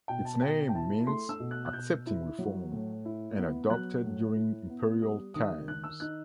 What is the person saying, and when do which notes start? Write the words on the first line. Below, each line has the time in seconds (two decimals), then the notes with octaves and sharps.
Its name means "Accepting Reform" and adopted during imperial times.
0.08 B2 G5
0.25 A5
0.42 B2 G5
0.69 G5
0.75 E4 A5
1.07 A3 C6
1.29 E6
1.40 B2
1.51 F#6
1.66 F#6
1.73 B2 G6
2.06 E4
2.38 F#3
2.72 A2
3.05 E4
3.37 B3
3.70 F#3 F#6
4.03 A2
4.36 E4
4.69 B3
5.02 G3 D#6
5.34 D#3 D#6
5.68 D#3 F#6
5.84 E6
6.00 D#4 F#6